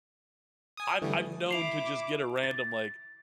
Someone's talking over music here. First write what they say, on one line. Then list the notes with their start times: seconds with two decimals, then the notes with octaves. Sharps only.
I'm I'm known to just get a random like,
0.77 G#5 D#6
1.02 D3 E3 G3 A3
1.51 E4 D6 C7 F7
2.43 A6